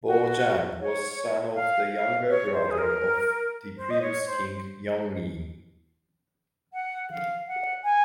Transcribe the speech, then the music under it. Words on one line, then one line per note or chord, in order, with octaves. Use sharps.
Bojang was son of the younger brother of the previous king Yeongnyu.
F#4
C#5
F5
F5
C#5
C5
G#4
A#4
C5
D#5
C#5
C5
F#5
F5
F#5
G#5